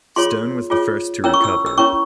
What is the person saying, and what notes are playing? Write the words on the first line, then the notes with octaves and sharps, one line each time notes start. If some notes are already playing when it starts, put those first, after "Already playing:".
Stone was the first to recover.
F4 G#4 C#5 C6
F4 G#4 C#5
C#4 E4 A#4 C#5 E6
C#6
E6
E6
C#4 E4 A#4 C#5 C#6